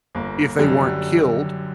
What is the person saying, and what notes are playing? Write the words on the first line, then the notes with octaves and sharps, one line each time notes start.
if they weren't killed,
G1 A#3
F#2 D3 G3